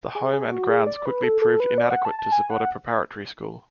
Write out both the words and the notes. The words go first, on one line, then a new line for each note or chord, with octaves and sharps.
The home and grounds quickly proved inadequate to support a preparatory school.
G#4
G#4
F#4
G#4
D5
B4
A4
A4
B4
D5
F#5
A5
A5
G#5
F#5